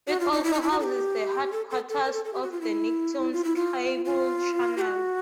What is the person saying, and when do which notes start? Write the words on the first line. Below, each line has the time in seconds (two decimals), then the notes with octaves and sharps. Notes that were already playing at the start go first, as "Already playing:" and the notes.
It also houses the headquarters of the Nicktoons cable channel.
0.08 F#4
0.20 F4
0.32 D#4
0.44 E4
0.53 D#4
0.62 E4
0.71 F#4
0.80 A4
0.84 G4
1.52 A4
1.70 A4
1.89 A4
2.04 A#4
2.13 A4
2.25 A4
2.34 G4
2.43 F#4
2.52 F4
2.61 E4
3.33 F4
3.44 E4
3.56 F4
4.05 F4
4.77 G4
4.81 F#4